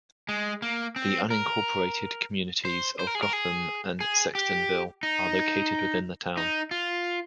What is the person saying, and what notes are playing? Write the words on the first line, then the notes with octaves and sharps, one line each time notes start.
The unincorporated communities of Gotham, and Sextonville are located within the town.
G#3
A#3
C4
A#4
C5
C5
A#4
G#4
A#4
G#4
G#4
G4
D#4
D#4
F4